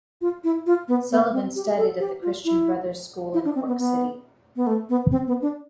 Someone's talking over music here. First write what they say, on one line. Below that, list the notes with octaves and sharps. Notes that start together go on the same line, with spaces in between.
Sullivan studied at the Christian Brothers school in Cork city.
F4
E4
F4
B3
B3
C4
G4
A4
G4
F4
E4
E4
D4
C4
B3
B3
B3
A3
B3
C4
B3
D4